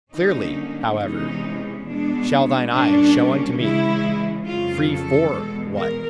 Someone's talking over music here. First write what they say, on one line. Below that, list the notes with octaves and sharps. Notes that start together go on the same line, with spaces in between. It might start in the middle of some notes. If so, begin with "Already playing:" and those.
Clearly, however, shall thine eye show unto me: free FOR WHAT?
D3 G3 A#3 C#4 D#4
E2 C3 E3 G#3 C#4 D#4
B2 G#3 B3 D4
A#2 G3 A#3 C#4 D4
C#3 E3 G#3 E4
F2 C#3 F#3 F4
A4
E2 B2 G#3
A#4